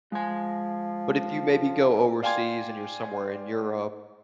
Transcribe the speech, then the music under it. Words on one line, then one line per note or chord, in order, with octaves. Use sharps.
But if you maybe go overseas and you're somewhere in Europe,
F3 G#3 G#5
D5 F5 G5 G#5 C6 G#6